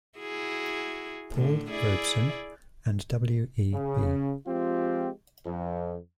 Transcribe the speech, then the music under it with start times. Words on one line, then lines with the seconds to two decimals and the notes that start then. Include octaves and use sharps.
Paul Robeson and W. E. B.
0.19 E4 F#4 G#4
1.33 A2 D3
1.70 E4 G#4 D5
3.73 C#3
4.46 F3 G#3 C4 F4 G4
5.45 F2